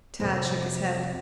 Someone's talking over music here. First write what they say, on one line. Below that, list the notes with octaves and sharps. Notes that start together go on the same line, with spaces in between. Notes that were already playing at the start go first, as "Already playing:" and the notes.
Tad shook his head.
F2 C3